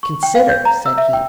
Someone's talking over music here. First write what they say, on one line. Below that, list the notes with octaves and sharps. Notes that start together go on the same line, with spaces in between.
"Consider," said he.
C#6
G5
F5
G6
A#5
E6
E5
G5